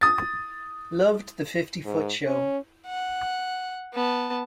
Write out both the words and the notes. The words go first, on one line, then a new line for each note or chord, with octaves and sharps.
Loved The Fifty-Foot Show.
D#6 A6
G#2
C#4
F#5
B3 A5